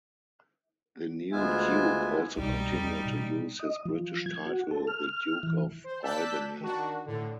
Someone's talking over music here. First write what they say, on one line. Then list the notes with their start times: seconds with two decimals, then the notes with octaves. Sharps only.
The new Duke also continued to use his British title, the Duke of Albany.
1.32 D2 G#3 B3 F4 E5 G#5
2.37 C2 B2 G3 D#4
2.71 E2 E4
3.04 B2 E3
3.59 D#5
3.86 F3
4.26 G#6
4.46 F#4
4.71 A4
4.87 F6
5.43 E3
5.84 C5
6.02 D5 A5 E6 F#6 G6 B6
6.60 D#3 D4 F#4
7.05 A2 D3